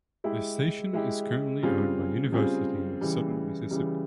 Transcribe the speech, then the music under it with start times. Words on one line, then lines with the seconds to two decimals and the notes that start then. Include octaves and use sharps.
The station is currently owned by University of Southern Mississippi.
0.24 G#3 E4 G4
0.93 G#3 E4 G4
1.63 C#3 G3 C4 F4 G#4
2.32 C#3 G3 C4 F4 G#4
3.01 C#3 E3 G3
3.71 C#3 E3 G3